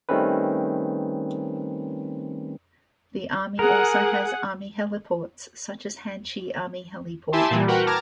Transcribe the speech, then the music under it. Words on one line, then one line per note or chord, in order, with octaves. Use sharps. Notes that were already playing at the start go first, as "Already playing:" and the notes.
The Army also has "Army Heliports" such as Hanchey Army Heliport.
D#3 G3 A3 C4 C#4 B4
G#4 A#4 F#5
E4 G4 E5 G#5 A5 C6
A#2 E3 G3
F#4 A#4 B4 F#5 G5
A5 A#5 D6 F6 G#6 A#6